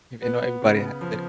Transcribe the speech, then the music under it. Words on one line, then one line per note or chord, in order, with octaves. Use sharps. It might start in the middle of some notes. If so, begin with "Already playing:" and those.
If You know, everybody has to
B3
B3
C#3
C#3
F3